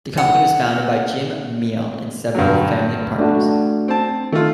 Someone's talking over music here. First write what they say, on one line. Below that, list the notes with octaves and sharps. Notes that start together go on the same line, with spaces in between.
The company was founded by Jim Miele and several family partners.
F#5
G2 D3 F#3
A3 D4 F#4
C4 A5
D#3 A3 F4